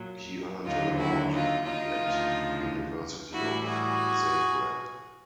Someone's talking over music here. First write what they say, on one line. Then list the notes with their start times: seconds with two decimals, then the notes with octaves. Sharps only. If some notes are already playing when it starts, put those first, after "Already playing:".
He earned a law degree at University of Zagreb.
Already playing: A#2 F#3
0.65 D#2 D3 F#3 D#4 F4
0.98 E4 F#4
1.32 D#4 F4
1.65 D#4 F4
1.99 D2 C#3 F3
3.32 A2 E3 G3 E4 F#4
3.66 F#4 G#4